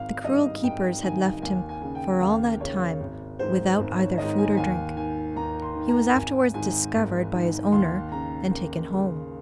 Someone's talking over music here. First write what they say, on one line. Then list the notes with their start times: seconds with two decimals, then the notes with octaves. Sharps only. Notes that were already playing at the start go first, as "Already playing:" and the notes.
The cruel keepers had left him for all that time, without either food or drink; he was afterwards discovered by his owner, and taken home.
Already playing: G#1 F5
0.24 G2 D#3 D#5
0.63 G#1 G5
1.03 G2 D#3 G#5
1.42 D#2 G#5
1.69 G#5
1.82 C#3
1.95 G5
2.21 D#2 F5
2.61 C#3 C#5
3.00 G#1
3.39 G#2 D#3 C5
3.78 G#1
3.99 C#5
4.18 G#2 D#3 D#5
4.38 G#5
4.57 D#2 G#5
4.96 D#3 G#5
5.36 D#2 A#5
5.62 C6
5.75 D#3
5.89 A#5
6.15 G#1 G#5
6.54 G#2 D#3 G#5
6.94 G#1
7.33 G#2 D#3
7.72 D#2 C6
8.12 C#3 A#5
8.51 D#2
8.90 C#3